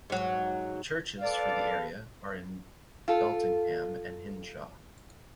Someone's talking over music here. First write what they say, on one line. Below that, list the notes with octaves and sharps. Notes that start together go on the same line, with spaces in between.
The churches for the area are in Beltingham and Henshaw.
G#2 F#3
A4 B4 D5 F5
F4 A4